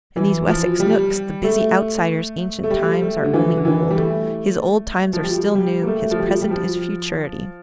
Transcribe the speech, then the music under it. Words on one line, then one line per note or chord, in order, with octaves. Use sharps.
In these Wessex nooks the busy outsider's ancient times are only old; his old times are still new; his present is futurity.
E3
F3
G3
A3
A3
G3
A3
D3
E3
D3
E3
G3
A3
F3
G3
G3
A#3
A3
F3
G3
G3
F3